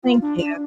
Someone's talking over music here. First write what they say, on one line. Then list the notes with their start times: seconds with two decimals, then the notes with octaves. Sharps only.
Thank you.
0.04 F4
0.21 D4
0.40 D4